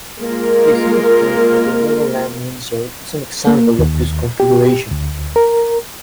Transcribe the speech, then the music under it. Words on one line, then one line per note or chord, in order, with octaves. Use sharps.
The Hill Train at Legoland, Windsor, is an example of this configuration.
G#3 A#3 F4 A#4
A#3
D#2
G4
D2
A#4